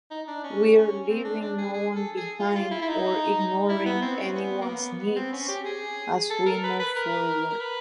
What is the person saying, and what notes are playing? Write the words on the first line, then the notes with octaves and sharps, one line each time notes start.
We’re leaving no one behind or ignoring anyone’s needs as we move forward.
D#4
D4
C#4
C#4
C4
D4
D4
G#4
G#4
A4
G#4
F4
F4
E4
E4
D#4
E4
B3
C4
C#4
B3
A#3
B3
B3
C4
C#4
G4
G#4
A4
A#4
B4
B4
A#4
A#4
B4